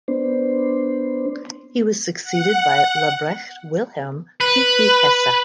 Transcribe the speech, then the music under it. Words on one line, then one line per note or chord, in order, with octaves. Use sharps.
He was succeeded by Lebrecht Wilhem Fifi Hesse.
B3 D4 C5
F#5
B4